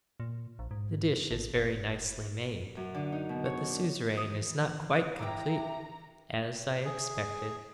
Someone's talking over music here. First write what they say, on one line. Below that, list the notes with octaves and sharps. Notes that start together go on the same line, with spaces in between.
'The dish is very nicely made, but the Suzeraine is not quite complete--as I expected.'
A#2
A#1
G#2
A1
F#1
F#2
D3
D#4
B2
C#5
D4
D#3 E3 D#6
F#5
D4 E4 G4 A#5
G#4